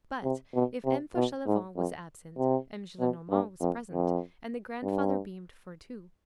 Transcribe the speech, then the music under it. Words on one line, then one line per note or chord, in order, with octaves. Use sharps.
But, if M. Fauchelevent was absent, M. Gillenormand was present, and the grandfather beamed for two.
C3
B2
C3
B2
G#2
F2
C3
B2
G2
F2
F2
G2